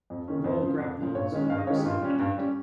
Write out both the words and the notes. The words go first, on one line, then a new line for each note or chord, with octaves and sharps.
More grabpoles were also added.
F2
D#3 A#3 C#4
F2 C5
C#3 F3
F2
C#3 F3
G2 C#5
D#3 G#3 C#4
G2 F5
D#5
D#3 G#3 C#4 C#5
G4
G2 F4
G3 C#4
G2
G3 C#4